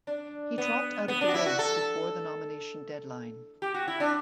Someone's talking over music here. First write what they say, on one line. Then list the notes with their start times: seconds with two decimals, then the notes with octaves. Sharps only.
He dropped out of the race before the nomination deadline.
0.07 D4
0.58 B3
1.08 B3
1.21 D4
1.28 F#4
1.34 E4
1.46 F#4
1.59 A4
3.62 G4
3.74 F#4
3.88 E4
4.00 D4